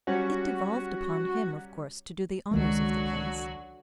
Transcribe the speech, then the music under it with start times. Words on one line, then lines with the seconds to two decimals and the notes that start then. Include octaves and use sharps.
It devolved upon him of course to do the honours of the place.
0.07 F#3 G3 C#4 F#4
2.51 C#2 D3 D#3 F#3 G#3 F#4